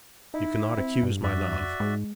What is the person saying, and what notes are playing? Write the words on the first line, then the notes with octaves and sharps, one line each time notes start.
You cannot accuse my love.
D#4 E4
C4
G2
F2 F#4 D5 E5
G#2 G#3